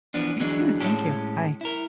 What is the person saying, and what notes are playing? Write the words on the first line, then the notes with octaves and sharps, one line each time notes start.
You too, thank you. Bye.
E3 F3 B3 D4
D3 E3 F#3 G#3 D4 D#4
A2 G#3 C#4 G4 A4
E4 A#4